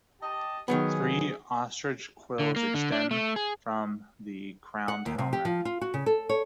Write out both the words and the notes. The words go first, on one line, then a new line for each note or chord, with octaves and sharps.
Three ostrich quills extend from the crowned helmet.
G4 D#5 A5
D#3 F#3 B3 G#4
D3
A#3
D3
D4
A3
G#4
F#5
D#2
C3
G4
F3
F4
F#4
C#3
A4
C#5